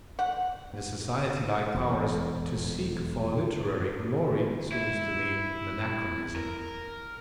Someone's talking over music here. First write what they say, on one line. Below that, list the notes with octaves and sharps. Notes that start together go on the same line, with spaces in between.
In a society like ours, to seek for literary glory seems to me an anachronism.
F#5
E1 F2
E4
A#4